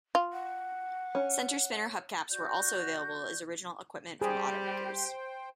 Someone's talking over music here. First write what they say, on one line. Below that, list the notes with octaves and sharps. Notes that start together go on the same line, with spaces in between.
Center spinner hubcaps were also available as original equipment from automakers.
F4
F#5
C#4
F#4 D5 G6
G3 G4 G#4 C5 G5